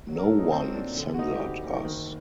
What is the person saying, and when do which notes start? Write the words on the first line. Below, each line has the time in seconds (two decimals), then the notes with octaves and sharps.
No one censored us.
0.08 F#3
0.18 A#4
0.24 A4
0.31 F#3
0.39 D#4
0.52 F#3 C4
0.74 A#2 D4
0.96 D3
1.14 F#4
1.19 F#1 D#4
1.34 G4
1.40 F#1 F#4
1.63 F#1
1.85 D#3